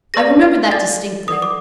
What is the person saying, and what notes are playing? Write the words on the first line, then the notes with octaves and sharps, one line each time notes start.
I remember that distinctly.
G#4 B4 D5 F5 A#6
A4 D5 F5 A6
A4 D5 F#5 D#6
D6